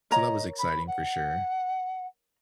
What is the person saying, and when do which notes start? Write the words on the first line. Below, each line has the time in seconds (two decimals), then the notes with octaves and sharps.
So that was exciting, for sure.
0.11 A#4 C#5 D#5 A#5
0.58 B5
0.87 F#5